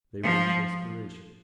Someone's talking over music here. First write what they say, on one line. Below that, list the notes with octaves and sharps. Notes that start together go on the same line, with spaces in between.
They were in desperation.
F3